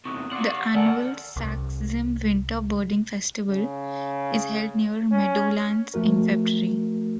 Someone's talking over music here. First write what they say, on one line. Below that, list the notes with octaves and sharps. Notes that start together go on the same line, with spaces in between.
The annual Sax-Zim Winter Birding Festival is held near Meadowlands in February.
E2 C3 C#6 D#6 F#6
F3 D5 F5 F#5 C6
D2 A4 A#4 D5 F#5 G#5 A6
C2
C#3
C#4
F3 A3 F#4 A#4